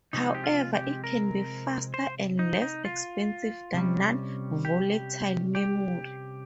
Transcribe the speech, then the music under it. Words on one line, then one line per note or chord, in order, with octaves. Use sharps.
However it can be faster and less expensive than non-volatile memory.
C3 F3 G#3 C4 D#4
G4
F4
G4
A#4
C5
D#4
D#4
F4
C3 G3 C#4
G4
G4